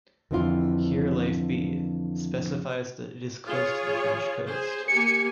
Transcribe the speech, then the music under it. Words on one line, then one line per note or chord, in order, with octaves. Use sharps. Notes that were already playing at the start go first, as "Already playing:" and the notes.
Here Life B, specifies that it is close to the French coast.
F2 D3 E3 C4 E4 F4
F4 G#4 C#5
G#4 C5
A#3 G4 G#5 C#7